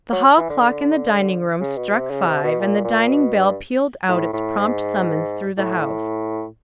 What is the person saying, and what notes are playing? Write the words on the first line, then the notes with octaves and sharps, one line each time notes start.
The tall clock in the dining-room struck five, and the dining-bell pealed out its prompt summons through the house.
F#3
E3
D3
D3
C#3
B2
C3
C#3
C3
B2
A#2
A#2
B2
G2
A2
A2
G#2
A2